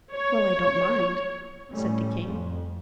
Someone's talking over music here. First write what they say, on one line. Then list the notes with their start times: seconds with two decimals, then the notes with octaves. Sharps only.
"Well, I don't mind," said the king.
0.13 C#5
1.73 A2 G3 A3 C#4
2.26 F2